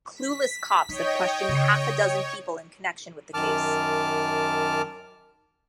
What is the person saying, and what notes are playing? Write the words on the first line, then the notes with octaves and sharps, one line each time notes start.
Clueless cops have questioned half a dozen people in connection with the case.
B6
D#4 C#5 D#5 G5
C#3
C#5
F#2 D#3 A5 D6 F6